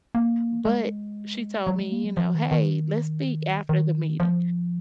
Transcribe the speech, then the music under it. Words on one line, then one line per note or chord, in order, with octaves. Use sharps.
but she told me, you know, "Hey, let's speak after the meeting."
A#3
G#3
F#3
G#3
A#3
F#3
F3
D#3
D#3
D#3
F3